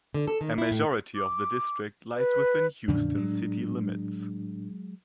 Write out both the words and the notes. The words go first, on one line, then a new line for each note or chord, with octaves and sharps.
A majority of the district lies within Houston city limits.
D3
A4
D#3
E4
A2
D6
B4
E2 A2 C#3 F3 D4
F#3 G#3